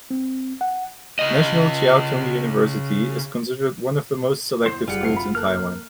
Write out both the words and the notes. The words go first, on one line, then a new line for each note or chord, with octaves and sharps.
National Chiao Tung University is considered one of the most selective schools in Taiwan.
C4
F#5
C#3 D#5
E2 C5
F#1 G3 F4 G#4 F#5
D2 C3 C7
B5
A#3 A4 F6 F#6